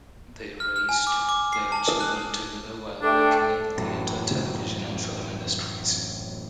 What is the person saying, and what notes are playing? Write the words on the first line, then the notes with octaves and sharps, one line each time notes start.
They raised their children together while working in the theatre, television and film industries.
F6
F6
G#5
D6
D6
C7
A5
D#6
F#6
A3 D4 A4 G5
A1 F#2